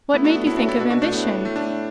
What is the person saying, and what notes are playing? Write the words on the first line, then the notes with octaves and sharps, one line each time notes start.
What made you think of ambition?
A3 B3 E4
D4 F#4
B3
A2 B3 E4
D4 F#4
E4 A4
B2 D4 F#4
D4 F#4
A3 D4
A2 B3
A3
A3 D4